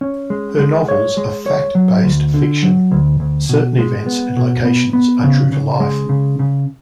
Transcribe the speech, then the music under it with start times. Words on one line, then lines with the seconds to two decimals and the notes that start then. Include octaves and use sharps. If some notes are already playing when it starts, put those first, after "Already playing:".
Her novels are "fact-based fiction"-certain events and locations are true to life.
0.01 C#4
0.30 G#3
0.59 G#3
0.88 C#5
1.17 G#3
1.46 C#5
1.75 F#3
2.04 D2
2.34 D3
2.63 F#3
2.91 D2
3.20 D2
3.49 B2
3.79 G#3
4.07 B3
4.37 B2
4.65 B3
4.93 B3
5.23 C#3
5.52 C#3
5.80 G#3
6.09 C#3
6.39 C#3